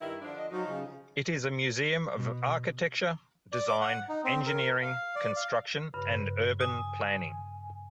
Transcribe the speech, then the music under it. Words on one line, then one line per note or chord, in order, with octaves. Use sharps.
It is a museum of "architecture, design, engineering, construction, and urban planning".
G2 D#3 E4
D3 F3 D4
D#5
F3 F#3 D#4 F#4
C#3
B2
D5
D6
F#5
D#4
C4
A#4
F5
D5
F5
G2 C#3 B4
G#5 D#6